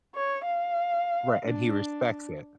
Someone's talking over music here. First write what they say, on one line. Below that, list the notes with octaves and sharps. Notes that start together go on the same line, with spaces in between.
Right, and he respects it.
C#5
F5
D4